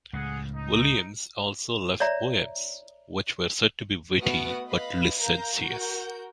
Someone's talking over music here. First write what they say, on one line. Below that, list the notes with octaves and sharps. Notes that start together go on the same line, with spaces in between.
Williams also left poems which were said to be "witty but licentious".
C#2 A2 G#4 F#5
D#4
C#5 D5 E5 A#5
A3 B3 F#4 D#6 F6 D7
B4 D#5 F5 B5
A#4 F5 A#5 G6
F#4 A#4 G6